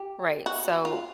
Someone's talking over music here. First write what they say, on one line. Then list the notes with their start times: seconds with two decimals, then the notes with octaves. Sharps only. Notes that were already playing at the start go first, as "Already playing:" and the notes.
Right, so
Already playing: G4
0.46 F#4
0.85 F4